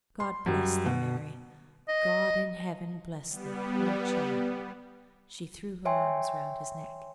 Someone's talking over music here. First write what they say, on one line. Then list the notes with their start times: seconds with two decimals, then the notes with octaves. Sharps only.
"God bless thee, Mary!--God in heaven bless thee, poor child!" She threw her arms round his neck.
0.20 C6
0.46 F#2 G3
0.86 B2
1.88 D#5
3.29 G3 B3
5.85 C#5 E5 G5 G#5 C6